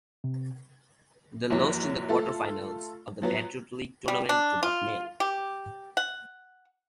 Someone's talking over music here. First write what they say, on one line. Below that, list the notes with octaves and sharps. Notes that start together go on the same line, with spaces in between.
They lost in the quarterfinals of the Patriot League Tournament to Bucknell.
C3
A#1 F#2 E3 F#3
A3 F4 A4
F3 F#3 B3
G3
D4
F4
G4
F#5